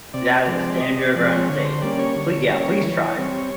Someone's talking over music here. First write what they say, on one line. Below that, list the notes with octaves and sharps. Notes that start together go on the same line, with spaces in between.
that is a stand your ground state. "Plea yeah, please try."
C3 D5
F3 G#3 C4 D5
C3 D#5
D5
F3 G#3 C4 D5
C#5
D3 C#5
C5
G3 A#3 C#4 D5
C#5
D3
G3 A#3 C#4
E3
G3 C4